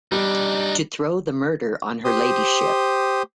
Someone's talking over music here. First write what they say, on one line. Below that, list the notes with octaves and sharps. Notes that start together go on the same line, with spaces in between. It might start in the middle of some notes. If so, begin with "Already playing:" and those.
To throw the murder on her ladyship.
G3 D4 D#4
G4 C5 D#6